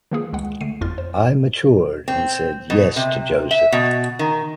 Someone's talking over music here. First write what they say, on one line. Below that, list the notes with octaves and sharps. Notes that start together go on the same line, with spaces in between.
I matured and said yes to Joseph.
D#3 E3 A#3 F4 G#4
C#2 G#3 F#5
D3 A3 C7 D#7
G1 F2 E4 C6 F6 A6
C5
C4
B2
C3
E5
B2
D#3